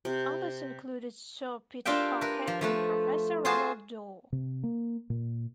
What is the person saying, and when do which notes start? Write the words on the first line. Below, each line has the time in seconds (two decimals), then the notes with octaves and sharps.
Others included Sir Peter Parker and Professor Ronald Dore.
0.05 C3
1.85 D4 F4 G4 A#4 E5 G5
2.21 A#4 B4
2.47 F3
2.61 F3 A3 B4
3.45 F4 F#4 G#4 C5 A5
4.32 C3
4.63 A#3
5.10 A#2